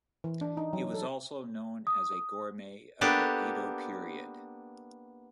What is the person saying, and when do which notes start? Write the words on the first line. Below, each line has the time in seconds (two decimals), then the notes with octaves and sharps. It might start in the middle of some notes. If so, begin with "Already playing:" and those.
He was also known as a gourmet of the Edo period.
0.24 E3
0.41 D4
0.57 D#4
0.73 F#3
0.94 A4
1.87 D#6
3.01 A#3 B3 D4 G4 A4